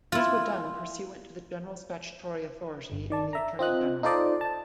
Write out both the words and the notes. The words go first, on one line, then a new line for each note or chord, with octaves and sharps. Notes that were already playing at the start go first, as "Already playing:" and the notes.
These were done pursuant to the general statutory authority of the Attorney General.
E4 F4
G1
D#3 D5 A5
E5 A#5
C4 F4 D#5 F#6
D#4 F4 A4 C5 D5 D#5
A5